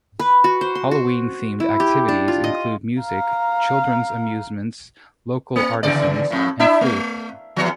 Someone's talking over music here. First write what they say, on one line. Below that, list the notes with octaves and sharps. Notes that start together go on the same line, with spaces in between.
Halloween-themed activities include music, children's amusements, local artisans, and food.
B4
F#4
C5
C6
F#4
E4
G4
D4
F4
D#5
F5 A#5
A#3
E2 C#3 D5
F2 A2
D4 E4 E5
A3
E2 F3